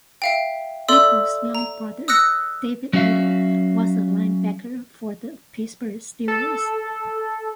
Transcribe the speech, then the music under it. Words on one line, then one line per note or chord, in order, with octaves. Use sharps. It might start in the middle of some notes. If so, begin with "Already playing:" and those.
Little's younger brother, David Little, was a linebacker for the Pittsburgh Steelers.
E5 F5 G5
A4 D5 E5 C6 D#6 E6
A#5
D#6 E6 F#6 A#6 C#7
F#3 C#4 F#4 E5 F5
A4